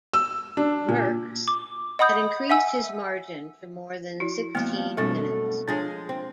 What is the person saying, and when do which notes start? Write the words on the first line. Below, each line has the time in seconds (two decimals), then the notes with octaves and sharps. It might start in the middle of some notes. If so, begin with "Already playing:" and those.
Merckx had increased his margin to more than sixteen minutes.
0.13 E6
0.57 D4
0.88 A#2
1.48 D6
1.99 D#5 F#5 B5 D#6 G6
2.50 E5 F#5 G#5 E6
4.20 F3 E4 F#4
4.55 F2 F3 G#3 A#3 B3
4.97 F#2 B2 G3 A3 C4 D4
5.68 F3 G#3 D4 G#4 C#5
6.09 C4